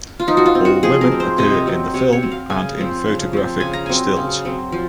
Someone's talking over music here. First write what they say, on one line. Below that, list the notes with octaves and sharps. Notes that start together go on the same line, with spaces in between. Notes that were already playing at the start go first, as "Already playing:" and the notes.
All women appear in the film and in photographic stills.
F4
F3 D#4
F#4
F4
C4
F#4
F3 G#4
A#4
C4
C5
C3 D#5
F#3 C4
C3 C#5
C#5
F#3 C4
F5
C#3 G#5
F3 C4
C#3
F3 C4
C#3 G#5
A#5
F#3 C4 G#5
C#3
F#3 C4
F3